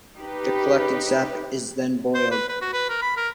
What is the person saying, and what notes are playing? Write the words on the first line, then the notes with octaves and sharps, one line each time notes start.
The collected sap is then boiled.
D#4 G4 B4
C5
B4
B4
F#4
B4
A#4
B5
A#4